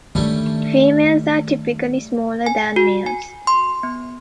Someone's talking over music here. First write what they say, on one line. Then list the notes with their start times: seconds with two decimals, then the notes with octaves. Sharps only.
Females are typically smaller than males.
0.15 D#3 G3 A3 C#4 D4
2.46 G#5
2.76 F#4
3.06 G#5
3.47 C6
3.83 B3